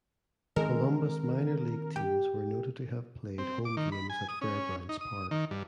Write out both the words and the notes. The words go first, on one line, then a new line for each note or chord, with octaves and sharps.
Columbus minor league teams were noted to have played home games at Fairgrounds Park.
D#3 G#3 C4 A4 A#4
G4 G5
C4
D6
D#3
B5
G#5
D#6
C#4
D#4
D#6
D#3
G2